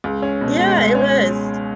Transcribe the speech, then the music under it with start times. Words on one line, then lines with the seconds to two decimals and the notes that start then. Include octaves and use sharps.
Yeah, it was.
0.04 C#2
0.22 C#4
0.41 B2
0.60 G#3
0.77 C#2
0.95 C#4